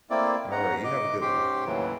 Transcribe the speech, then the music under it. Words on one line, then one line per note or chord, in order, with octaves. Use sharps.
Alright, you have a good one.
A3 A#3 C4 E4 D5
G#2 C#4 F#5 A#5
D#5 D6
G#2 C#4 G4 C6 D6
D#2 A2 C#3 E3 F#3